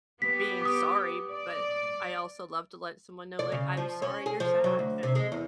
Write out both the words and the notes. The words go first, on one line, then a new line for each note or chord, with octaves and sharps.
being sorry, but I also love to let someone know, like, "I'm sorry you're sad," and
B3 G4 B6
D6 D#6
D5
D5
C#3
F3
C#4
G#4
F3
F#3
D2
C3
G#3
E2